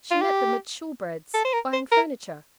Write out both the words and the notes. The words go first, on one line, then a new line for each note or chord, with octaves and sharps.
She met them at Shoolbred's--buying furniture.
F4
G4
A4
C5
A#4
C5
A#4